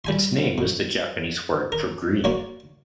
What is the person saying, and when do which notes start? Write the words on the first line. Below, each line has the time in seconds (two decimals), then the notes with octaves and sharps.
Its name is the Japanese word for "green".
0.05 G3 G#5 C6
0.58 B2
1.72 A#4
2.24 F#3 A#3 C#5 D5 C6